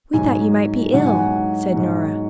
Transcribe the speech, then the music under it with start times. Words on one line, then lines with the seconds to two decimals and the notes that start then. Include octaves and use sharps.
"We thought you might be ill," said Nora.
0.13 G#2 F#3 G#5
0.93 G#2 F#3 F#5
1.06 G#5
1.19 F#5
1.73 G#2 F#3